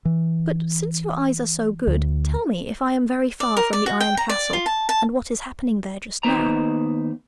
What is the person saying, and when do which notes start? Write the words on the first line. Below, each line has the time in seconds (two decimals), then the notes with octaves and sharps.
But since your eyes are so good, tell me if I am very far from the Iron Castle, and what is happening there just now.'
0.05 E3
1.87 D2
3.40 D5
3.57 A#4
3.73 D5
3.86 F#4
4.00 G5
4.17 A#5
4.29 D5
4.53 F4
4.66 A5
4.89 A5
6.23 D#2 B3 D#4 B4 C5 A#5